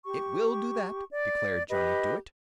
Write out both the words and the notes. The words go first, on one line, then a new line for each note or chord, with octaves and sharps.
"It will do that," declared Johnny Dooit.
G4 C#6
D5
G4 B4 D#5 B5